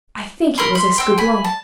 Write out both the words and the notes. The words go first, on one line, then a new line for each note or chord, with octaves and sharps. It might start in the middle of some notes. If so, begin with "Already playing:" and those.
I think it was Escoublon.
A#4 B5 C6
B5 C6
C4 G5
G#5 B5
A5